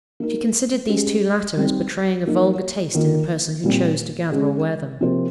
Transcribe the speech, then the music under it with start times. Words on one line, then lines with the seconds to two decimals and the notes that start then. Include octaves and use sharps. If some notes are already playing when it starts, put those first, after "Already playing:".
She considered these two latter as betraying a vulgar taste in the person who chose to gather or wear them.
0.20 A#3 D#4 A#4
0.89 G#3 C#4 G4
1.57 G3 C4 D#4
2.26 F3 A#3 D#4
2.95 D#3 A#3 F4 A#4
3.64 A#2 G3 C4
4.32 G#3 C#4 G#4
5.01 C3 F3 A#3 F4 C5